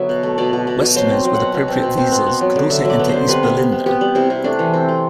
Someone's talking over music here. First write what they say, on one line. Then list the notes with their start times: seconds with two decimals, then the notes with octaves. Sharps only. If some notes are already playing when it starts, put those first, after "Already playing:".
Westerners with appropriate visas could also enter East Berlin there.
Already playing: D3 F#3 B3 E5
0.09 B2
0.23 A3
0.38 B2 D5
0.53 B2
0.67 B2
0.82 B2
0.96 F#3 C5
1.10 C4
1.25 F#3
1.35 B2 F#5
1.54 B2
1.68 C4
1.83 B2
1.98 C4
2.12 B3
2.26 B3
2.41 F#3
2.56 D3
2.70 D3 E5
2.85 F#3 D5
2.99 B3
3.09 D3 C5
3.28 C3 B4
3.43 B3
3.57 C3
3.72 B3
3.86 B3 G4
4.01 G3
4.15 C3 E4
4.30 C3
4.44 A3 D4
4.59 E3
4.74 C4
4.88 A3